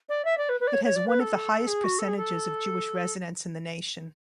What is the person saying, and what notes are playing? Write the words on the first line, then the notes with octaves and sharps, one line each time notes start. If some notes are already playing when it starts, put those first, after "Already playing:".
It has one of the highest percentages of Jewish residents in the nation.
D5
E5
D5
B4
B4
D5
C#5
C#5
D5
B4
A4
G#4
F#4
A4
G#4
A4